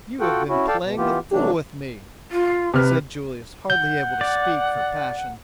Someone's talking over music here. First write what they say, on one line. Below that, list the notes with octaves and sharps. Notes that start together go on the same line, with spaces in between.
"You have been playing the fool with me," said Julius, hardly able to speak for passion.
F4 F#4 A4 F#5 G5
C#4 E4 F#4
A4 D5 F5 G5 A5
B2
E3 B3 F4 G4
C3 E3 F#3 A3 D4
F4
C3 B4 F6
F#5 G6
D5